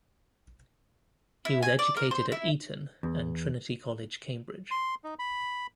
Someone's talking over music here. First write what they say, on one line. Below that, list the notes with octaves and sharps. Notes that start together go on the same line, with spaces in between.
He was educated at Eton and Trinity College, Cambridge.
E4
G#5
D5
A#4
C5
E4
E2
C6
D#4
B5